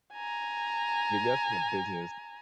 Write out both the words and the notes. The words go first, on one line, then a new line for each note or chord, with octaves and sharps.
Yeah, that's, like, a business,
G#5 A#5